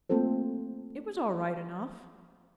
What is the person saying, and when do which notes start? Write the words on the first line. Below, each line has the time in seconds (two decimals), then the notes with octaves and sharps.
It was all right enough.'
0.10 A3 A#3 C4 F4 A4 C5